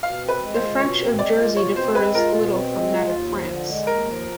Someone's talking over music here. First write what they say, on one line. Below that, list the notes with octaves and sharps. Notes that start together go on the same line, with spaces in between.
The French of Jersey differs little from that of France.
B2 F5
C4
B4
G#3
C5
F4
B2 C#5
C4
G#3 D5
F4
B2 C#5
C4 C5
G#3 B4
F4 A#4
B2
C4
G#3
F4
D#2
F3
D3
G#3
D#2 A#4
F3